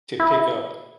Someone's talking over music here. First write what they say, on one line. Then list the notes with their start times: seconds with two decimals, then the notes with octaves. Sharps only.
to pick up
0.20 E4